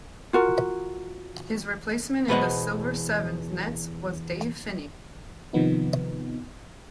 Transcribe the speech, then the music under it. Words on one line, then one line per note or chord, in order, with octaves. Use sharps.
His replacement in the Silver Seven's nets was Dave Finnie.
F4 F#4 A#4
E2 B2 B4 C5 D#5 F#5
C3 D#3 F3 B3 D#4